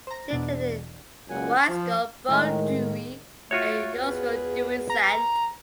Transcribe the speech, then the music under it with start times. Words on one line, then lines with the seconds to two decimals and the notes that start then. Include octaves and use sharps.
She attended Ysgol Bro Dewi and Ysgol Dewi Sant.
0.07 C5 A#5
0.31 E2 B2 D4
1.29 C#2 F#2 A#2 F#5 G#5
1.67 F3
2.29 A2 D#3 G#3
3.51 A3 F4 F#4 C#5
3.95 E2 G#4 B4
4.90 A#5